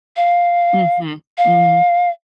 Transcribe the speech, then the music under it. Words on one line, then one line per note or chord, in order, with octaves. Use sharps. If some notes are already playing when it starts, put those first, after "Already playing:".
Mhm, mhm.
F5
F5